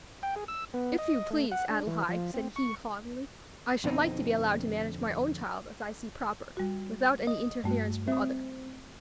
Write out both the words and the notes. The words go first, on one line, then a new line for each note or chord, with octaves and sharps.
"If you please, Adelaide," said he haughtily, "I should like to be allowed to manage my own child as I see proper, without any interference from others."
G5
G#4
E6
B3
D#5
A3
F#5
D4
E3
F3
C4
C#6
F2 B2 D3 C4 D#4
G3 F#4
D#5
G2 G3 A3 F#4
C4 E5 D#6